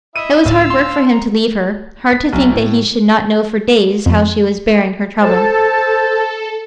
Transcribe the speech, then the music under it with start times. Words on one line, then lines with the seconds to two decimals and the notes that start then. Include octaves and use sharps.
It was hard work for him to leave her--hard to think that he should not know for days how she was bearing her trouble.
0.16 E4 D#5 E5 D#7
0.45 D2 A2 F5 E6 A6
0.70 C6
1.09 A#5
2.11 B6
2.33 B1
2.52 A2
4.06 F2
5.21 A4 C5 A5